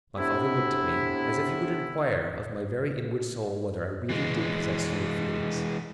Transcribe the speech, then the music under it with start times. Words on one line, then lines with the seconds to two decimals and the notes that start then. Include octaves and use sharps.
My father looked at me, as if he would inquire of my very inward soul whether I really did possess human feelings?
0.16 A2 C3 B3 D4 E4
4.09 E3 G#3